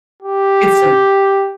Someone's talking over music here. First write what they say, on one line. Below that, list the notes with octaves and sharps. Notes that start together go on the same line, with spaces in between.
It's m
G4